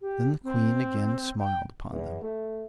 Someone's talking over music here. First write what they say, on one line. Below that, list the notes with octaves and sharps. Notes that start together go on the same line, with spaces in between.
Then the Queen again smiled upon them.
G4
C4
G5
E2
A3